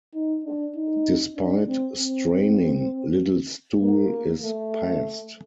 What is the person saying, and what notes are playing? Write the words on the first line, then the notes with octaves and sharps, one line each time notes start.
Despite straining, little stool is passed.
D#4
D4
D#4
D4
C4
C4
A#3
A3